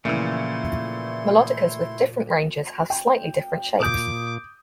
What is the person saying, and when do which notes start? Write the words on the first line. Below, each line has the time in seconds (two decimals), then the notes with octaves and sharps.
Melodicas with different ranges have slightly different shapes.
0.05 A#2 C#3 E3 F3 A3 E4 C6
2.90 G5
3.80 A#2 D6 D#6 G6